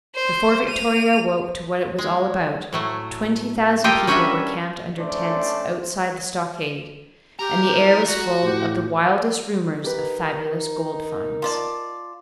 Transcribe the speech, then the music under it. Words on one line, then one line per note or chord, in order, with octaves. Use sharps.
Before Victoria awoke to what it was all about, twenty thousand people were camped under tents outside the stockade, and the air was full of the wildest rumours of fabulous gold finds.
C5
D#7 F7
G#3
A2 F#3 A3
F4 G4 A4 A#4 D#5 G5
G3 C#4 D4 F#4 D#5 E5
A3 C#4 D4 C5 D5
G4 A4 A#5
E4
F#4 A#5
A2 G4
D#4 G4 A#4 B4
F4 D5 A5